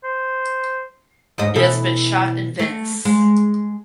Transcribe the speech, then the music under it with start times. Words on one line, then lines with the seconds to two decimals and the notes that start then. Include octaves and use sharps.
It has been shot in Venice.
0.04 C5
1.38 D2 G#2 D#5
1.55 B2 E3 A4
2.59 A3
3.05 G#3